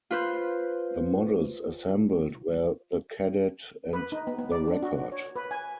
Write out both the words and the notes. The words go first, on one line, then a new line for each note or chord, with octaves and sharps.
The models assembled were the Kadett and the Rekord.
F4 B4 C5
B4
D#4
B3
B3
D5
D4
F#4
C#5
B4
G#5